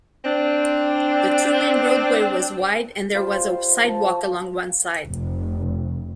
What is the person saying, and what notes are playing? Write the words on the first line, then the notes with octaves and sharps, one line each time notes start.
The two-lane roadway was wide, and there was a sidewalk along one side.
C4 D4
G3 F4 C5 D5
C6
E5
F3 A5
F1